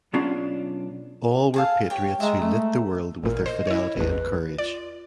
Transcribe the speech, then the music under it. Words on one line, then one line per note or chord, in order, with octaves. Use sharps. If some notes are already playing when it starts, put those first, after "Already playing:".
All were patriots who lit the world with their fidelity and courage.
B1 B3 C#4 D4 F4 G#4
G#4 A4 F5
G4 C#5 G5
G#3 E5 A#5
A3
A1 A#2 A#4
C5 D#5
E4 C#5
A1 E2 B4
F4 D5